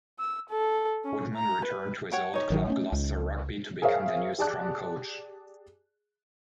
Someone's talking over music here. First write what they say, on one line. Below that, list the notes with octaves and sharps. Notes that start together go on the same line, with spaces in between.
Woodman returned to his old club Gloucester Rugby to become their new Scrum Coach.
E6
A4
C#4
A#5
B4
C#5 F#5 G5
D#4 C#5
A1 D#3 F#3
A3 C4 C#4
C#2
G#4 A#4 C5 C#5 E5 F5
G4 G#4 D5 A5 D6 F#6